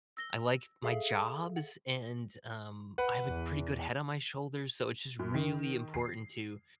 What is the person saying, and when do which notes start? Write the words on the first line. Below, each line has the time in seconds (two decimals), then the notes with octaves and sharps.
I like my jobs, and, um, I have a pretty good head on my shoulders, so it's just really important to
0.17 E6 A#6 G7
0.83 G#4 A4 E5 F5
1.56 F#5
2.98 B4 F#5
3.27 E2
5.19 F#2
5.34 D#3
5.94 C7